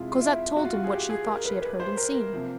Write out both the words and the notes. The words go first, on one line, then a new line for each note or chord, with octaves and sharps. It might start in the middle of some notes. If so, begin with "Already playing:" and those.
Cosette told him what she thought she had heard and seen.
Already playing: F2 C3 F3 G#3 E4 F4
F4
E4
F#4
F4
F#4
G#4
G4
G#4
A#4
B4
B4
C5
A#4
A#4
C3 F3 A#3